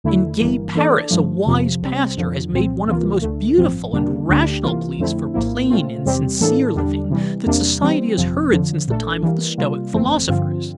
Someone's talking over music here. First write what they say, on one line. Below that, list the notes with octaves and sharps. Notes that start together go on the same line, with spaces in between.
In gay Paris, a wise pastor has made one of the most beautiful and rational pleas for plain and sincere living that society has heard since the time of the stoic philosophers.
E2 D3 A3 E4
G1 G2 E3 A#3
E3 A#3 D4 A4 D5
G2 F3 A3
F2 C3 F3
C2 C3 G3 C4
F2 D3 F3
C2 A#2 F3 C4
D2 C3 E3 A#3 F4
D2 D3 A3
A1 G2 F3 C4
E2 D3 G3 A#3 D4
D2 D3 A3 D4 G4
C2 C3 E3 A#3 F4
F2 D3 A3 C4 E4
A#1 A2 F3 A#3 E4
A#2 A3 C4 F4
E2 C3 G3 C4 G4
A2 E3 A#3 D4 A4
E2 D3 G3 D4
C3 E3 G3
E2 C3 G3 A#3 D4
E3 G3 C4
G1 F2 C3 F3 C4
F2 D3 F3
A#1 A#2 A3 D4 A4
E3 G3 A#3
C3 G3 A#3 F4
G1 F2 E3 A3 C4
G2 D3 F3 C4 F4